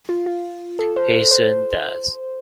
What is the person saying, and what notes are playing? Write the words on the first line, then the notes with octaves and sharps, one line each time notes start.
He soon dies.
F4
F4
A4
C5
C5